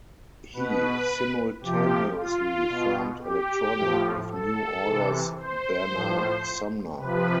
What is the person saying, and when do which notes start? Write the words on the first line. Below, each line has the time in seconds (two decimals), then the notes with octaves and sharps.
He simultaneously formed Electronic with New Order's Bernard Sumner.
0.53 B2 B4
1.61 C3 F3 G4
2.15 F4
2.68 B2
3.21 G4
3.76 A2 F3
4.29 A4
4.83 C3 E3
5.36 C5
5.91 A2 F3
6.97 C3 F3 B4